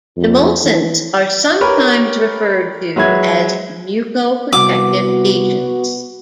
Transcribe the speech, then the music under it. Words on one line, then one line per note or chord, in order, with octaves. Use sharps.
Demulcents are sometimes referred to as mucoprotective agents.
F2
E3
G4 A#4 B4 C#5 A#5 B5
F#3 G#3 B4 E5 G#6
C2 G2 B3 F#4 D6